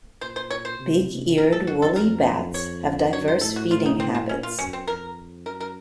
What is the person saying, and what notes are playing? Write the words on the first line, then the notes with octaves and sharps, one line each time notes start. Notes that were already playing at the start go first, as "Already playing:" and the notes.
Big-Eared Woolly Bats have diverse feeding habits.
A#2 C5
C5
C#5
C5
C3
C3
A#2 A#4
A4
F#2 F#4
A4
F2 A#4
C#5
F#2 C#5
C5
A2 A4
F#4
F4
D#4
C4
C4
A#2 C#4
F4
F#2 C#4
C4
F2 A#4
F#2 A#4
A#4